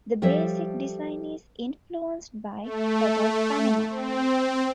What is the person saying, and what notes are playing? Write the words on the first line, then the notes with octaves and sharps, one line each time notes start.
The basic design is influenced by that of Panama.
F3 G3 A4 C#5 E5
A3
C4